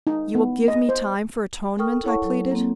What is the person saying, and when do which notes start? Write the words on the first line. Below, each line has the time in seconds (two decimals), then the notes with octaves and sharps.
"You will give me time for atonement?" I pleaded.
0.07 D#4
0.35 B3
0.68 D#5
0.89 C5
1.78 A4 A#4 G5 C#6 D#6 F6
2.04 E4 A4 C#5 F#5 A5 C#6
2.24 F#3 A4
2.51 A#3 C4